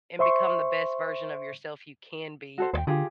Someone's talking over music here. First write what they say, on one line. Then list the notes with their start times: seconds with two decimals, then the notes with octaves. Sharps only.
and become the best version of yourself you can be
0.19 C5 E5 C6 C#6
2.58 F#4 A4 C5
2.74 D#2 C5 G5
2.87 D3 F4 G4 G#4